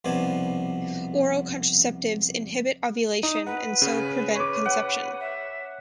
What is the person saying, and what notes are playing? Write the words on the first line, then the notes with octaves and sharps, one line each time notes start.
Oral contraceptives inhibit ovulation and so prevent conception.
C2 B2 F3 D4 G#5
D#4 D#6
B4 F#5
C#3 C#4 G#4
C#5 D6
F#5
E5